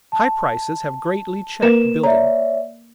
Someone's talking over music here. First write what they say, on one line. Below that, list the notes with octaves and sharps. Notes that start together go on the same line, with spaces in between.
High prices have greatly checked building.
A5
A#3 A#4 B4 E7
C#5 D5 E5 A#5